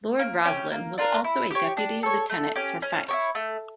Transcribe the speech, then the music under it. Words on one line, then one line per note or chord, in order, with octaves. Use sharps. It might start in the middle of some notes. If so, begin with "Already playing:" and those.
Lord Rosslyn was also a Deputy Lieutenant for Fife.
A#3
C#4 G4
A#3
D4 F4 A#4
E4
G4 C#5
D4
A4 C#5
A3
C#4 G4
C#4
E4 G4 C#5
A3